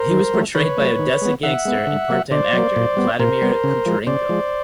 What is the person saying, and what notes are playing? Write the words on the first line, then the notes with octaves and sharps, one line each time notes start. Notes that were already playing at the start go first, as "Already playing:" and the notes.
He was portrayed by Odessa gangster and part-time actor Vladimir Kucherenko.
Already playing: A#4 C5
D#3
F#3 A3
D#3 B4 C#5
F#3 A3
D#3
G#3 B3
D#3 E5 F#5
G#3 B3
D3
F#3 A#3
D3 C5 D5
F#3 A#3
A#2
G3 B3
A#2 A#4 C5
G3 B3
C#3
F3 G#3
C#3 C5 D5
F3 G#3